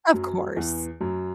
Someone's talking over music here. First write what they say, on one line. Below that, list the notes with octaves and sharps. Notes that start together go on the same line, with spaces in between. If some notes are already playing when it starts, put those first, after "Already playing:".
Of course.
F#2 F#3
E2 E3
F#2 F#3